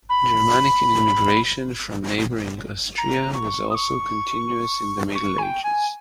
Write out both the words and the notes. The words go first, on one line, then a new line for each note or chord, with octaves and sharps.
Germanic immigration from neighbouring Austria was also continuous in the Middle Ages.
B5
A#5
C#6
D#6
C#6
C#6
G#5
G5
G#5